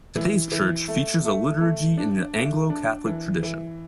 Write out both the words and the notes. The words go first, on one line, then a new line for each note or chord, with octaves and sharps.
Today's church features a liturgy in the Anglo-Catholic tradition.
E3
E3
A3
A3
A3
D4
A3
D4
E3
E3